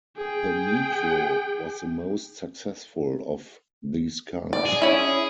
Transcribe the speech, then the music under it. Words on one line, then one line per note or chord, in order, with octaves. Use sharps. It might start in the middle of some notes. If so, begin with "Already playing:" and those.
The Metro was the most successful of these cars.
G#4 G5
D5
G#4
C#4 E4